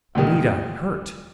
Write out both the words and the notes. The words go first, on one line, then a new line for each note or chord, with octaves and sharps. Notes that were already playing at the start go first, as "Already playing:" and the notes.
Anita hurt!
D2 A#2 D#3 G3